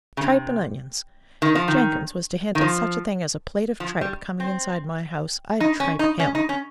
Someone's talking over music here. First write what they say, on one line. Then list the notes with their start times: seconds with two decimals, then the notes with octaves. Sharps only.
Tripe and onions! If Jenkins was to hint at such a thing as a plate of tripe coming inside my house, I'd tripe him.
0.17 C#3
0.22 C3
1.42 D#3
1.55 F3
1.68 D#3
2.55 D#3
2.61 F3
3.80 F3
4.01 G3
4.40 C4
5.60 D#4
5.80 C#4
5.99 D#4
6.20 C#4
6.35 D#4
6.49 C#4